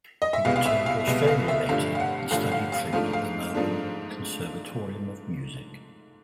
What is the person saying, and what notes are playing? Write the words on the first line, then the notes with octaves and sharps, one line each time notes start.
He returned to Australia later and studied flute at the Melbourne Conservatorium of Music.
D#5
E5
C2 B2 G#3 B3 F5
F5
E5
F5
C2 B2 G#3 B3
F5
E5
G1 G2 D3 F3 A3 F5
F5
F#5
G1 G2 D3 F3 A3 F5
F5
F5
G#2 F3 A3 D4 F5
F5
G#2 F3 A3 D4